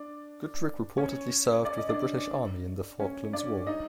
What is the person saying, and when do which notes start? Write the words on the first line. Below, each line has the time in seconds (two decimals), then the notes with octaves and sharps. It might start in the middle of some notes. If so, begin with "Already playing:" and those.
Goodrick reportedly served with the British Army in the Falklands War.
Already playing: D4 D5
0.98 C#4 C#5
1.65 D5
1.78 D#5
1.89 D4 D5
3.00 C#4 C#5
3.33 D4 D5
3.67 D#4 D#5